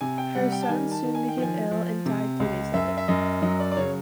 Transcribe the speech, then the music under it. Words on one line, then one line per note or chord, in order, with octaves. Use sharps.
Her son soon became ill and died three days later.
C3 G#5
G5
G3 F#5
G5
A5
D#3 G#5
A5
D#3
G#5
G5
F3
G#5
F3
C3
C#2
F#2 E5
E5
F#2 D#5
F#3 D#5
D5
D5
C#3 C#5